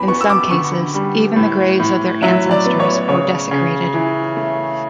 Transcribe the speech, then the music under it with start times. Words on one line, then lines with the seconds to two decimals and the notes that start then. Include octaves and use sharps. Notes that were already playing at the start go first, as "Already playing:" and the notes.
In some cases, even the graves of their ancestors were desecrated.
Already playing: E2 B5
0.08 B3 C#6
0.21 E6
0.29 D6
0.50 D3 C#6
0.94 G3
1.36 A2
1.80 A2
2.22 F#3 E5
2.51 D5
2.66 B3
2.80 C#5
3.08 C#3 C#5
3.51 C#3
3.94 E3
4.37 A3